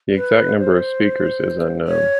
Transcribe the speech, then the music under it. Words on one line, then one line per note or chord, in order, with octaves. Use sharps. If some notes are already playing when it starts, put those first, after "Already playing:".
The exact number of speakers is unknown.
B4
C5
C#5